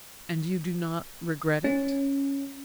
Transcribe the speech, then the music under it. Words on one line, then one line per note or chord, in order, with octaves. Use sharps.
"And you do not regret it?"
C#4